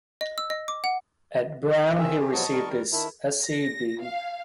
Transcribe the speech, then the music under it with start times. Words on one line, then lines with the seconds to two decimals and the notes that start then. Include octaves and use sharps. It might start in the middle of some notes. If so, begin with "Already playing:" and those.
At Brown, he received his Sc.B.
0.21 D#5
0.38 E6
0.50 D#5
0.68 D6
0.84 F#5
1.98 D#3 C4 G#4 E5
2.19 G4
2.32 B2 F3 F#3 D#5 A5 C#6
2.52 D#3 G3 A#4
2.92 D#3 D4 E4
3.45 A#6
4.02 F5